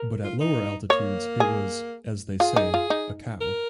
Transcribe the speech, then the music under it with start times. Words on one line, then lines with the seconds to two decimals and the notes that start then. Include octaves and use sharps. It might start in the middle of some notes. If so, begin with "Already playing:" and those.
But at lower altitudes it was, as they say, 'a cow'.
Already playing: A#4
0.24 F4
0.40 D#4
0.90 A#3 C#5
1.40 G#4
2.40 F4 G#4
2.56 D#4
2.74 F4
2.90 D#4
3.41 A#4